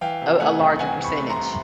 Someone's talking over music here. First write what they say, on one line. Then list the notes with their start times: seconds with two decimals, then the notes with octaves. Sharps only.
a a larger percentage.
0.01 E3 F5 G5
0.22 C3
0.40 A3 F#5 G#5
0.59 C2
0.79 E3 F#5 G#5
0.98 C3
1.04 B5 C#6
1.17 A3
1.30 A#5 C6
1.36 C2